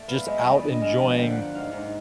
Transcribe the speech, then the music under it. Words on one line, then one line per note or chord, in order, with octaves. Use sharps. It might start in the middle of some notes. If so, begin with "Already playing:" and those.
just out enjoying
Already playing: A3 D5
B3 F5
E5
G#3
E5
G3 D#5
D5
D3
D#5
G#3 F5
F3
D3 G5
F#5
A#3
F#5
G#2 F5
G#2 F#5